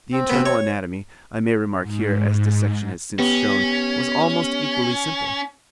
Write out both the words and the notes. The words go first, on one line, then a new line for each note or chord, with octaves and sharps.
The internal anatomy, I may remark here, as dissection has since shown, was almost equally simple.
C4
B2 B3
C#5
G#2
B3 C#4 G4